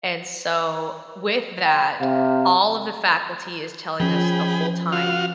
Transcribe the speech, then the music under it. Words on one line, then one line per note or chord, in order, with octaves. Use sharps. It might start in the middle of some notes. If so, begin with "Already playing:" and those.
and so, with that, all of the faculty is telling us the whole time,
G5
C3 F5
F3 C#4 G#4 G5 B5
F4 F#4 F5